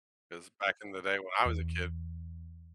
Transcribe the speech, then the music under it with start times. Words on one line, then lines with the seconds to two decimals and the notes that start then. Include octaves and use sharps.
'Cause back in the day when I was a kid,
1.45 E2